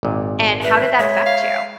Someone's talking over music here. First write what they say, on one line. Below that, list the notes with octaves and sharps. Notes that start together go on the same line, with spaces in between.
and how did that affect you?
G#1 A#2
B4 E5
G#3 C#5
F5